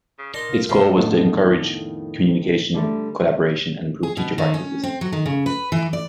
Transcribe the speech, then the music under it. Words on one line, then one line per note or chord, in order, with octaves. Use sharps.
Its goal was to encourage communication, collaboration, and improve teacher practices.
C#3
D#4 A#4 D5 A5 C6
C#3 F4
D#2 G#2 B2 F3 C5 E5
F2 A2 D#3 A#3 B3 D4
D3 G3 A3
G#4
B2
D#3
C#4
C4
F#3
D#3
C#3
B4
E3
D5